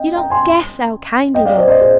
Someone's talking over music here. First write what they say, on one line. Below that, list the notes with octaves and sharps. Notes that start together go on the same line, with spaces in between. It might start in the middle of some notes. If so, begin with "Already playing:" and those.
You don't guess how kind he was.
Already playing: D#5 G5
G5 A#5
G#5 C6
D#5 G5
D5 F5
C5 D#5
C5 D#5
G#4 C5